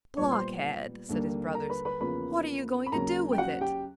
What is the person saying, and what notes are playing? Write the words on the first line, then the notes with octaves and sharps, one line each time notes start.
'Blockhead!' said his brothers, 'what are you going to do with it?'
A#2 G3 B3 C#5 C#6
C5 C6
D#2 D3 G3 A#3
A#4 A#5
B4 B5
B4 B5
E2 C#3 F3 A#3 B4 B5
B5
D#2 C#3 F#3 A#4 A#5
G5
F#4 F#5
G4 G5